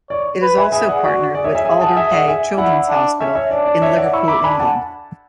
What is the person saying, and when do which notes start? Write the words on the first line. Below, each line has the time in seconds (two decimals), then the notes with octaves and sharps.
It is also partnered with Alder Hey Children's Hospital in Liverpool, England.
0.10 C#5 D5
0.42 B4
0.57 E5 G#5
0.72 G#4 E5 G#5
0.88 D5 F#5
1.04 F#4 D5
1.34 G#4 D5
1.44 C#5 E5
1.55 E5 G#5
1.65 G#4 E5 G#5
1.81 F#5 A5
1.97 E5 G#5
2.11 D5 F#5
2.28 E5 G#5
2.58 E4 D5 F#5
2.89 D4
3.20 C#4 C#5 E5
3.35 C#5 E5
3.51 D4 D5
3.66 D5
3.82 C#5 E5
3.97 D5 F#5
4.12 E4 C#6 E6
4.28 B5 D6
4.43 D4 G#5 B5
4.60 F#5 A5